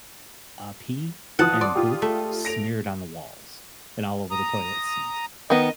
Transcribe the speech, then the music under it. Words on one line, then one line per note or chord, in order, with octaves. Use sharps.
uh, pee and poop smeared on the walls and all over the toilet seat.
E3 F3 F#5 A5 D#6
D5 C6
F4 G4
A3
A#6 D7 F7
A#5 D#6
D#3 B3 D#5